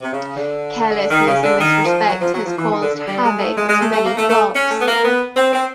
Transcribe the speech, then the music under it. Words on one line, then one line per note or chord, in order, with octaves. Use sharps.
Carelessness in this respect has caused havoc to many flocks.
C3
C#3
D3
D#3
C#3
D3
D#3
F3
F#3
F3
F#3
F3
E3
D#3
D3
D3
G3
G#3
A3
G#3
G#3
A3
A3
A#3
A3
A3
C#4
A3
B3
A#3
B3
C4
C4